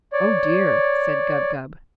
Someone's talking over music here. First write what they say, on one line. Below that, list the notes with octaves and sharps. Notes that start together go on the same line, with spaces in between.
"Oh, dear!" said Gub-Gub.
C#5 D5